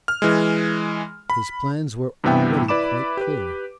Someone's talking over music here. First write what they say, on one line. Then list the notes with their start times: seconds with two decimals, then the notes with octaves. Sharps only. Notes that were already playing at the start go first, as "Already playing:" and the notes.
His plans were already quite clear.
0.08 F6
0.22 E3 G#3
1.30 B5
2.24 G2 C3 E3 B3 E5 G5
2.68 E4 B4 D5 B5 D6 E7
3.17 G4 B4